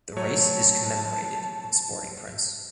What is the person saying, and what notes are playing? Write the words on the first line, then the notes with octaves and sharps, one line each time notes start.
The race is commemorated in sporting prints.
F#3 A3 C#5 A5